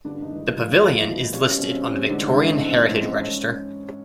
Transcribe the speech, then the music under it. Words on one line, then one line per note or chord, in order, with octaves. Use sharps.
The Pavilion is listed on the Victorian Heritage Register.
G2 D3 D4
D#3 D#4
E3 G#3
G2 F3 F4
G3 G4
E3 F3 G#3 F4
E3 E4
B2 D#3 D#4
G3 C#4
C#4
B2 C4
C#4
G3 C4
G#2 D3 D4
D3 D4
E3 G#3 C#4
C4
G#2 C#4
C#4
E3 G#3
C4
G#2 C#4